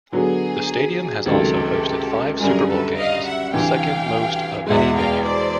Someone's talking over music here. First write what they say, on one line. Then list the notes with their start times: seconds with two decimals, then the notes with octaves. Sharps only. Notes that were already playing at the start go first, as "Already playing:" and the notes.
The stadium has also hosted five Super Bowl games, second most of any venue.
0.12 D3 F#3 B3 G#4
1.26 C#2 C3 D#3 F#3 A3 G4 A4
2.39 F#2 D3 G3 G#4 A#4
2.68 A4 B4
2.97 D#5 F5
3.25 E5 F#5
3.53 D2 C3 E3 F5 G5
4.67 E2 B2 G#3 E5 F#5
4.96 F5 G5
5.24 C5 D5